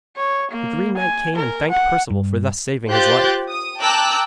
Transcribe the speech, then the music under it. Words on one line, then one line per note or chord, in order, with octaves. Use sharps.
The green knight came and thanked Perceval for thus saving his life.
C#5
A#3
G#5
A#4
F#5
G2
F4 G4 C5 F#6 G6 A6
D#6
G5 A5 A#5 D6 E6 F#6